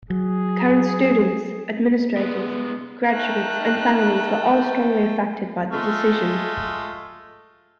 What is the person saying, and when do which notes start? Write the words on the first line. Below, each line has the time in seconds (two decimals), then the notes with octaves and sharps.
The current students, administrators, graduates, and families were all strongly affected by the decision.
0.10 F#3 G#4
2.17 G#3 B3
3.11 A3 D#4 A#4 G5 F#6
5.71 G#3 A3 F4